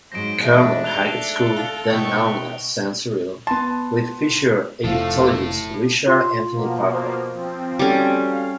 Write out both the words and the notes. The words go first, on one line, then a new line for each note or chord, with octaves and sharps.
Carmel High School, then known as Saint Cyril, with future Egyptologist Richard Anthony Parker.
G#2 F#3 G#3 C5 A#6 D7
G#2 B2 E3 A3 D4
A4 F#6 F7 G7
F4 G7
B2 D#3 A3 D#4 C#6
B3 A5 C6
F1 A2 F3 A4
F4 C6
B2 F3 A#3
C5
F3 C4
G3 C#4 F#4 A4
F5